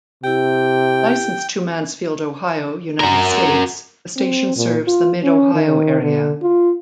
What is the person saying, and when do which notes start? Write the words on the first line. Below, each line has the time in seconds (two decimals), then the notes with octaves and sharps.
Licensed to Mansfield, Ohio, United States, the station serves the Mid-Ohio area.
0.24 C3 E4 G4 G5
3.00 F#4 A#4
4.16 C4
4.57 A#2
4.87 F4
5.23 C#4
5.54 D#3
6.03 D3
6.42 F4